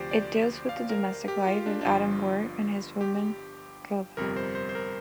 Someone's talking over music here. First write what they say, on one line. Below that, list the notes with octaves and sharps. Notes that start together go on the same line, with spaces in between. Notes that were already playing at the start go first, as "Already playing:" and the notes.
It deals with the domestic life of Adam Work and his woman Rhoda.
Already playing: D2 C3 F3 G4 C5 D5
D5
F5
A#4
G4
F4
D4
D4
G1 G2 F3 F4
G4
G1 F2 C3 G3 A#4
C5
C5
C5
A#4